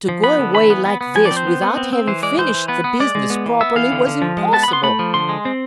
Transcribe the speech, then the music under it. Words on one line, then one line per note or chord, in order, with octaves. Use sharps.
To go away like this without having finished the business properly was impossible.
F3
B3 B5
D3
E3 B5
B3
B3
B3
F3 G#5
D5
C4
C5
B3
B3
C4
C4
E3 C5
G#3 D5
E3 C5
E3
B3 B4
B3
G#3 D5
G#3
B3
E3
B3 E5
E3 F5
D3
D3
F3
G#3
B3 A5
B5
B3
C6
A3 B5
F3
D3 C6
G#3
C4